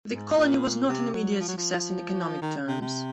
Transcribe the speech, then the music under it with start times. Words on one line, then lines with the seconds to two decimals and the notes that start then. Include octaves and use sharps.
The colony was not an immediate success in economic terms.
0.11 G#2
0.37 A#2
0.88 C3
1.14 F#3
1.40 F3
1.48 F#3
1.57 F3
2.42 D#3
2.68 C3
2.81 C3